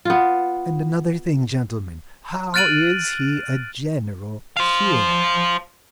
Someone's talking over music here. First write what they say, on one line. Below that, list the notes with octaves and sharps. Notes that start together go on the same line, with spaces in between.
And another thing, gentlemen, how is he a general here?
B3 F4
F6 F#6 A6 D7 D#7 F#7
C5 F5